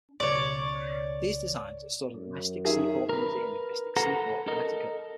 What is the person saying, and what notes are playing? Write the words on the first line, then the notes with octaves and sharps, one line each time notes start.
These designs are stored at the Mystic Seaport Museum in Mystic Seaport, Connecticut.
C#2 B2 C#5 D5
F#2
D#3 G#4 E5
A#4 B4
A4 B4 F#5 A#5
A4 A#4 D#5